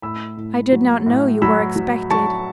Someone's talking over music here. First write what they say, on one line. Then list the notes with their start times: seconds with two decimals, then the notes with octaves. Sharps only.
"I did not know you were expected."
0.02 A2 B5 E6
0.37 A2
0.72 F#3
1.06 A2
1.42 F#3 B5 E6
1.76 F#3
2.11 F#3 A5 C#6